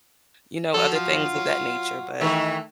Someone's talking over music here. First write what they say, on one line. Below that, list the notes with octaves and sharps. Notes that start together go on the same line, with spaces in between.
you know, other things of that nature, but
F3 F#3 A4
F4
F#3
D#3 E3 A3